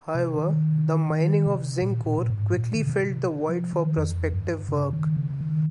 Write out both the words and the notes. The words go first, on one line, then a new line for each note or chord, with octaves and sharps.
However, the mining of zinc ore quickly filled the void for prospective work.
C3
D#3
D#3
C3
A#2
A#2
A#2
G#2
A#2
D#3
C#3
C3
F3
D#3
F2
G2
C#3
D#3
C#3
C#3
D#3